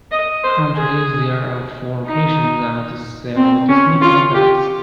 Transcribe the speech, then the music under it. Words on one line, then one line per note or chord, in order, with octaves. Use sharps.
Currently, there are four locations that sell Disney products.
D#5
C5
G#4
D#4
C4
C#4
F4
G4